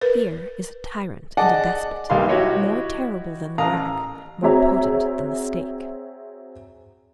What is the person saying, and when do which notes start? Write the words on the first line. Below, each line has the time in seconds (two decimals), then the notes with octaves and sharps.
Fear is a tyrant and a despot, more terrible than the rack, more potent than the stake.
0.01 A#4 B4
1.37 G#4 D5 D#5 F#5 A5
2.10 B1 D#3 G3 A#3 F5 C6
2.29 E4 F#4 G4 C#5 D#5
3.58 A1 F5 A#5 D#6
4.43 C4 F#4 G#4 C#5 E5 A#5